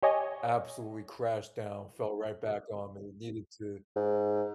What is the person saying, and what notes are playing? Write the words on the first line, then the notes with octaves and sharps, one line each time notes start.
absolutely crashed down, fell right back on me, needed to
G4 C#5 D#5 G#5
G#2